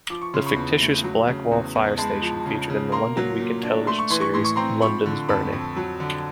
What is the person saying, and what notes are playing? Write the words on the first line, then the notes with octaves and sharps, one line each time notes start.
The fictitious Blackwall Fire Station featured in the London Weekend Television series "London's Burning".
F3 D6
C#6
C#3 C6
B5 C#6
E2
A3
F#3
C#3
E2
E2
G#3 A5 B5
F3
C#3
C#3
A#3 A#5 C6
F#3
A#2
D4
A3 C6
C#6
E3 C6
C#6
A2 C6
C#6
C4 A#5 C6
F3 B5 C#6
D3
F2 A5 B5
F2
F#3
D3